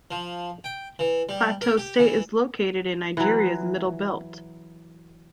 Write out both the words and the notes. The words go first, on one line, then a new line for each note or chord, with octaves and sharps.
Plateau State is located in Nigeria's middle belt.
F3
G5
E3
G3
A#4
G4
E3
E3 F#3